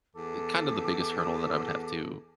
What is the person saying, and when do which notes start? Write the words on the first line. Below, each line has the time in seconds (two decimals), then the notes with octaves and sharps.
kind of the biggest hurdle that I would have to,
0.16 E2 A4 D6